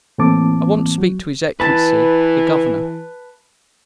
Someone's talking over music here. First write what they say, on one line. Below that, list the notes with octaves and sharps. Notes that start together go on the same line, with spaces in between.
"I want to speak to his Excellency, the governor."
A2 E3 A#3 C4 A5 D6
F#3
E3 B4 A5